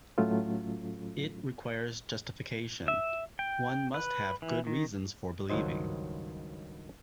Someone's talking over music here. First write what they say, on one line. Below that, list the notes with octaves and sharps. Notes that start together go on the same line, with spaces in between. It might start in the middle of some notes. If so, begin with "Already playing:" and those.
It requires justification: one must have good reasons for believing.
A2 F#3 A3 C#4 F4
E5
G5
B4
E3
D#3
C#2 G2 D#3 F#3 C5 D#5